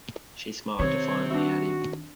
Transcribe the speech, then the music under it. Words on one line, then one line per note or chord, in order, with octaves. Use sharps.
She smiled defiantly at him.
C3 D#3 C4 C#5
D4 F#4 C5 E5